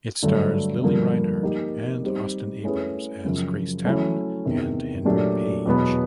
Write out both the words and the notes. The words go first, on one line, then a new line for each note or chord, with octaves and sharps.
It stars Lili Reinhart and Austin Abrams as Grace Town and Henry Page.
G2 D3 F#3 A3
G2 D3 F3 A#3
A#3 D#4 G4
G3 C4 D#4 G4 C5
A3 C#4 E4 G#4 B4
F#2 C#3 F3
F#3 A3 C#4 E4
E2 C3 D#3
A#2 F#3 A3 D4 G4
E2 B2 F#3 B3